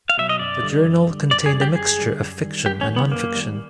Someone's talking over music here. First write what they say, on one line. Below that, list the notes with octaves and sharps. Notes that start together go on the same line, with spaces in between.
The journal contained a mixture of fiction and nonfiction.
F5
B2 F#3 E5
D#5
F#2 D5
D3 G3
F#2
D3 G3
F#2 D5
G#4
D3 G3
G4
F#2 G#4
D3 G3
F#2
D#3 G3
F#2 G4
C#4
D#3
G3 B3
F#2 A#3
D#3 G3